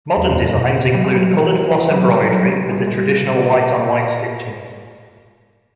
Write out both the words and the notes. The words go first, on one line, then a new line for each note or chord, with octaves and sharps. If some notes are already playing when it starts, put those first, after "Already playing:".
Modern designs include colored floss embroidery with the traditional white on white stitching.
E2
F#2
B2
F#3
G3
F#3
E3
E3
F#3
G3
F#3
G3
G3
G3